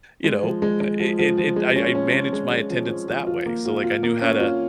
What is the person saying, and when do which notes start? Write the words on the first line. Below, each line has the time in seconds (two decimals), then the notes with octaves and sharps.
you know, uh, it it it I I managed my attendance that way. So, like, I knew how to
0.24 G#3
0.43 F3
0.62 G#3
0.81 G#3
1.00 F3
1.19 F3
1.38 F3
1.56 G#3
1.76 C#4
1.95 C#4
2.13 C#4
2.33 G#3
2.51 G#3
2.70 F3
2.89 F3
3.08 F3
3.27 F4
3.46 A#3
3.65 F4
3.84 F4
4.03 A#3
4.21 C#4
4.40 F4